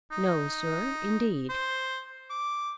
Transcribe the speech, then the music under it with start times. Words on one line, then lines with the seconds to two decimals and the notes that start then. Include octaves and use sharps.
"No, sir,--indeed."
0.11 D#4
1.50 C5
2.30 D6